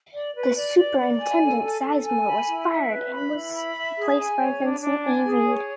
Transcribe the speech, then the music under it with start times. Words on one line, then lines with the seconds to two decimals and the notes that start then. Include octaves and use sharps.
The superintendent, Sizemore was fired and was replaced by Vincent E. Reed.
0.13 D5
0.34 B4
0.55 D5
0.77 D5
0.98 D5
1.19 G#5
1.41 A4
1.62 A4
1.83 A4
2.04 G#5
2.25 B5
2.46 E4
2.68 E5
2.89 B4
3.11 B5
3.32 E4
3.53 B5
3.74 E5
3.96 G#4
4.17 G#5
4.38 C#5
4.60 D4
4.81 D4
5.02 G#5
5.24 G#4
5.45 C#5